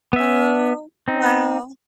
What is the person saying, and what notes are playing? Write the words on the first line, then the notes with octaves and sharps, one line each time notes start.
Oh, wow.
B3 E5
C4 D#4